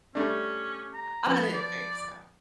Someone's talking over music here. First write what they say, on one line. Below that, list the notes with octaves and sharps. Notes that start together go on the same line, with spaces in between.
I didn't think so.
G3 A3 C#4 D4
A#5
F3 B3
D5